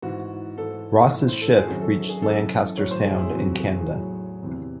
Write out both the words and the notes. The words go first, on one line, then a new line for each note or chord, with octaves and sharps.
Ross's ship reached Lancaster Sound in Canada.
G#2 E3 F#4
G#2 E3 A4
A2 E3
C5
A4
G#4
F#2 D#3 F#3 F#4
A4
G#4
F#2 E3 A4
A2 F#3 C#5
C5
G#4
E4
E2 C3 F#3 F#4
G#4
A2 F#3
E2 C3 E3